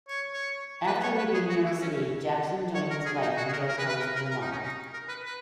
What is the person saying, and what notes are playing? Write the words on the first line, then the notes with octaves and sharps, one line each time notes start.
After leaving New York City Jackson joined his wife and drove home to Vermont.
C#5
C#5
B4
C#5
B4
G#4
F#4
E4
C#4
C#5
A#4
G#4
D#4
F#4
G#4
A#4
A#4
B4
B4
A#4
A#4
A#4
D#4
C#4
D#4
A#4
B4
B4